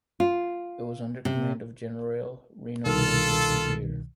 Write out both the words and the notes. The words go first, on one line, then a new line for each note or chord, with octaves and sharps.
It was under command of "Generale" Rino Corso Fougier.
F4
C3
C2 B2 D#3 F4 A4